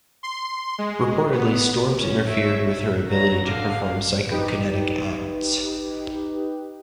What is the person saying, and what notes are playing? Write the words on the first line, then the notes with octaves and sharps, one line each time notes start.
Reportedly, storms interfered with her ability to perform psychokinetic acts.
C6
G#3
B3
C#4
C#5 E5
E5
F#3 A#5
D3 F5
D#4 G4 B4